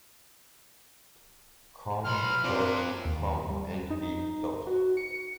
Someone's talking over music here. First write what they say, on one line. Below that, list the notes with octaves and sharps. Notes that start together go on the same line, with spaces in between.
Com., and B.
B1 B5 C6 F6
C4 D4 F4 C5
D#2
G3
D#4
F#4
C#7